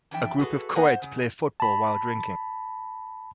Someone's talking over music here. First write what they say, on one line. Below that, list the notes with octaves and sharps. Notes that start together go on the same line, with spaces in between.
A group of coeds play football while drinking.
F2 E3 D4 E5 G5
F#4 G#4 A4 B4
A#3 B3 D#4 A#4 F#5
C5
C#3
A5 B5